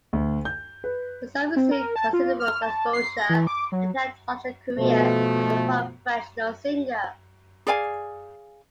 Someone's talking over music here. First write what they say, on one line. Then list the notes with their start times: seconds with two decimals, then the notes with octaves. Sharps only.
The song received considerable exposure and helped launch her career as a professional singer.
0.13 D2
0.45 G6
0.84 B4
1.56 C4
1.71 A#4
1.96 A5
2.13 F4
2.40 F6
2.62 A5
2.93 C7
3.17 A#6
3.30 E3
3.47 D6
3.72 F#3
4.78 B2 F3 A3
7.67 G#4 D5 F5 G#5